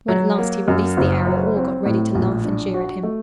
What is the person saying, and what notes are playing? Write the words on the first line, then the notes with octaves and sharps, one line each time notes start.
When at last he released the arrow all got ready to laugh and jeer at him.
F#3
A#3
F#2
F#1
F#3
C4
A2
A#1
D4
F#4
A3